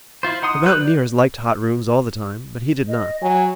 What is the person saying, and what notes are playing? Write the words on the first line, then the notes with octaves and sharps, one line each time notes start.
The mountaineers liked hot rooms all the time, but he did not.
E4 F4 C5
D#4 F#5 C6 D#6
F#3 B4 F#6 G6
D5
D#5
F#3 G#5